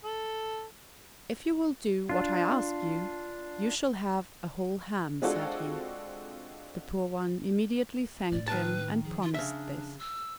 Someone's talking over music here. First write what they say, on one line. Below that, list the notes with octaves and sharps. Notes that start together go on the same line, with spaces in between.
"If you will do what I ask you, you shall have a whole ham," said he. The poor one immediately thanked him, and promised this.
A4
D4 F4
G#3 C4 D4 F4 F#4 A4
A2 D4 D5
D#3 B4 A5
F3 G#4
F4
C#3 D4 E5
E6